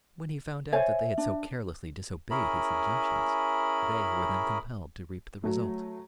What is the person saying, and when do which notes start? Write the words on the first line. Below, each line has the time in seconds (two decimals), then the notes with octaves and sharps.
And when he found out that they had so carelessly disobeyed his injunctions, they were then compelled to reap the result.
0.73 C5 C#5 E5 G#5
1.18 D4
2.31 C#4 E4 G#4 A#4 B5
5.44 F#3 A3